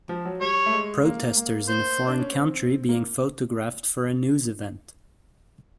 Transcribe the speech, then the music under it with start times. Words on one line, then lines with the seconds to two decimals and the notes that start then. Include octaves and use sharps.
Protesters in a foreign country being photographed for a news event.
0.09 F3
0.25 F#3
0.41 G3 C#5
0.66 A3
0.73 G#3
1.05 A#3
1.37 A#3
1.68 C5
2.08 D4
2.20 C#4
2.33 C4
2.89 A#3